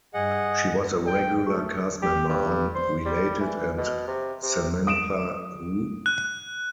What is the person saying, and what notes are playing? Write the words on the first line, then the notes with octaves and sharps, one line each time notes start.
She was a regular cast member on "Related" and "Samantha Who?".
G2 G#4 D#5 F#5
D5 G5
A3 F#4 G#4 C#6
G4
G2
C5
G3
E3
B2
C3
C3
D#6 D7 E7
F#6